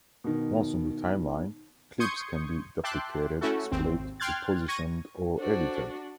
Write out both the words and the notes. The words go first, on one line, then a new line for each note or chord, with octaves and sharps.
Once on the timeline, clips can be duplicated, split, repositioned or edited.
B2 D#3
C6 C#6 D#6 G6 G#6 C#7
E5 G5 A5 C6 D6 F#6
A3 C#4 E4 F#4 A4
G#1 D#2 C4
G5 C6 F6 F#6 G#6 A6
C#6 G#6 A#6 D#7
D4 F#4 A4 C5